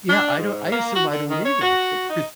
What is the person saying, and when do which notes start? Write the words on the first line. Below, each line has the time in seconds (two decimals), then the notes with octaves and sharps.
Yeah, I don't I assume I don't either. It 'cause
0.09 D4
0.38 G#2
0.71 A#3
0.94 F#4
1.11 D3
1.29 D#3
1.45 C#5
1.61 F#4
2.10 D#4